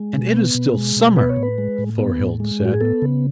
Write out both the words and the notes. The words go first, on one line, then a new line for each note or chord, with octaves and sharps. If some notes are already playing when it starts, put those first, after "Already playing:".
"And it is still summer!" Thorhild said.
Already playing: G#3
B2
B3
B2
G#3
B2
B3 B4
C#5
A2
B4
G#3
A2
B3
A2
G#3
A2 F#4
G#4
B3 A4
C#3